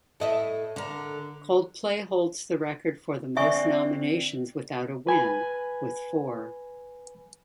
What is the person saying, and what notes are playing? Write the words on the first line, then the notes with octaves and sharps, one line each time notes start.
Coldplay holds the record for the most nominations without a win, with four.
A2 D#5 E5
D3 A#4
D3 C4 D5 E5 G#5 C#6
B4 G#5 B5